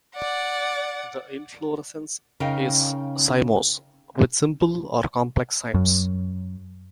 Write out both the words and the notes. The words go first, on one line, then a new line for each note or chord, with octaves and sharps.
The inflorescence is cymose, with simple or complex cymes.
D5 F#5
C#3 D#4 A#4 D#5 F5 G5
F#2